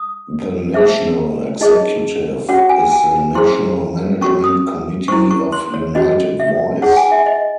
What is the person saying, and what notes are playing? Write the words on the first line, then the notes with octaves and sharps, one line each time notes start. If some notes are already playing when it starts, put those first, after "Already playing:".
The National Executive is the national management committee of United Voice.
Already playing: D#6
D#4 G#4 C5 E5
D#4 G#4 C#5 D#5
C#4 F#4 C#5 F#5
G#5
G#5
E4 G#4 C5 C6
C#4 F#4 C#5 C#6
D#6
E4 C5 C#6
C#6
C6
C#5
C#4 F#4 C#5 D#5
E5
D#4 G#4 C#5 F#5
G#5
E5
D#5